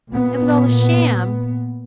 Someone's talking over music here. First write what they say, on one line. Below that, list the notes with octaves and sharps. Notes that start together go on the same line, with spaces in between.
It was all a sham.
A#2 B3